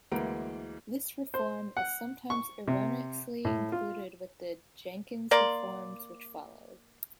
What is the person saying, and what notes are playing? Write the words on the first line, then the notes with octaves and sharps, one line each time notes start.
This reform is sometimes erroneously included with the Jenkins reforms which followed.
D2 E3 G#3 A#3 D7
C5
F#5
C#6
C3
A2
F4
A#3 D5 C6